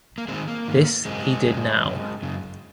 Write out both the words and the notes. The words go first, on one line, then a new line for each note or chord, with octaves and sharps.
This he did now.
A#3
G#2 D#3 G#3 C4
A#3
G#2 D#3
F#2 C#3 G#3 C4
F#2 C#3
F#2 C#3
F#2 C#3